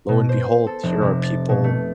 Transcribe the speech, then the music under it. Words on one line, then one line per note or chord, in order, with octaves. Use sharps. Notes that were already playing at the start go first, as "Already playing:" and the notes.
lo and behold, here are people,
B2
C5
A4
F1
C3
A6
B2
A3